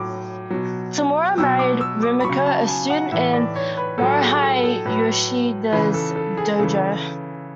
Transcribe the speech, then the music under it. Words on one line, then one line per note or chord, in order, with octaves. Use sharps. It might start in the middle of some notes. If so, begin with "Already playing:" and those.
Tamura married Rumiko, a student in Morihei Ueshiba's dojo.
Already playing: A2 F#3 D6
B2 F#3
B2 F#3 E6
D6
E6
D6
B5
C#3 F#3 C#6
A5
G#5
F#5
A2 E3 E5
D5
C#5
B4
A2 F#3 A4
G#4
A4
A4
A2 F#3 B4
C#3 E3 B4
A4
A4
G#4
C#3 E3 A4